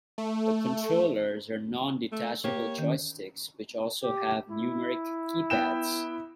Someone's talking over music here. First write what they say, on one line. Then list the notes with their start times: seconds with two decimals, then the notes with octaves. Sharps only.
The controllers are non-detachable joysticks which also have numeric keypads.
0.18 A3
2.12 A3
2.44 A#3 G4 C#5
2.79 D#3 C#4
4.03 G4
4.51 E4
5.50 B3 G5 E7